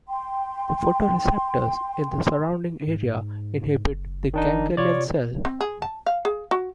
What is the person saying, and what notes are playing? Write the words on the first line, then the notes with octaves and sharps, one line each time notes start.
The photoreceptors in the surrounding area "inhibit" the ganglion cell.
G5 C6
G#2
F#1
D#3 D4 D#4
C3 F4 C#5 D5
C4
G#4
A5
F5
G#4
F#4